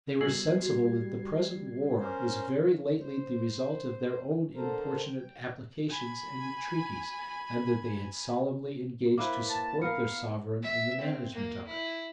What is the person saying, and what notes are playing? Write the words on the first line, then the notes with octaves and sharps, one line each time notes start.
They were sensible, that the present war was very lately the result of their own importunate applications and entreaties, and that they had solemnly engaged to support their sovereign in the management of it.
B2 G3 G#5 E6 G#6 C7 F#7
F#4
C#4 A#4 C5
C5
D3 A4 A#4 C5
G5
G#5 B5
A#3 E4 B4 C5 D6
A5
B3 A#4 F5 C#7
E5
C4
A#3
E4